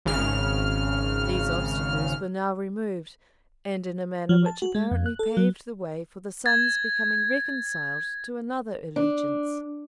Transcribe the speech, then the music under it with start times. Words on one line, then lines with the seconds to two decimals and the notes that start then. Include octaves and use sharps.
These obstacles were now removed, and in a manner which apparently paved the way for the son's becoming reconciled to another allegiance.
0.06 G#1 C#3 F6
4.29 F3
4.46 A5
4.62 F#4
4.75 G#3
4.91 F2
5.06 F#6
5.19 A4
5.37 F#3
6.46 G#6 A6
8.96 D4